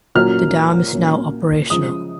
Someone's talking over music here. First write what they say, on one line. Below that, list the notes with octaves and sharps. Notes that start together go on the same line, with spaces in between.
The dam is now operational.
A#2 F#3 A#3 C#4 F6
A#2 F#3 A#3 C#4
C#3 F3 G#3 D#6